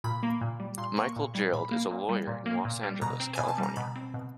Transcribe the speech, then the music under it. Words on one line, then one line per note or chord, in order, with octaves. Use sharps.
Michael Gerald is a lawyer in Los Angeles, California.
A#2 B5
A#3
A#2
G3
A#2 C6
A#3 C#6
A#2
G3
A#2 B5
A#3
A#2
G3
A#2
A#3
A#2
G3
B2 A#5
C4
B2 G#5
A5
G3
A#5
B2 B5
C4
B2